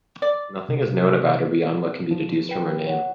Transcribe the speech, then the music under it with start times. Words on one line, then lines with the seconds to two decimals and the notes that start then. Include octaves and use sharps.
Nothing is known about her beyond what can be deduced from her name.
0.22 D5
0.69 C3
2.11 F3
2.49 B4 G5
2.86 C#5 F#5